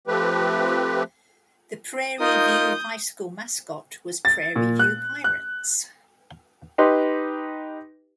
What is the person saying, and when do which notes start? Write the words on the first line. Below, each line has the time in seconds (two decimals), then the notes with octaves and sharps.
The Prairie View High School mascot was Prairie View Pirates.
0.07 F3 A3 C4 G4 B4
2.20 D#4 F4 A#4 D#6 G6
4.25 A6
4.56 A#2
4.79 F#6
5.24 F#6
6.78 D#4 G4 B4 C6